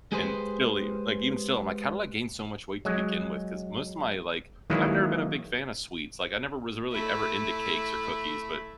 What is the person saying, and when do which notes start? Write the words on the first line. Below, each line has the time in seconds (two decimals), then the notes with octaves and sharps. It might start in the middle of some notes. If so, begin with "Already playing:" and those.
and still, eve like, even still, I'm, like, "how did I gain so much weight to begin with," 'cause most of my, like I've never been a big fan of sweets, like, I never was really ever into cakes or cookies, but,
0.12 G#3 G4 G#4 B4 C5
2.85 F#3 G#3
4.70 D#3 E3 F#3 G#3 A#3 E4
6.92 A3 E4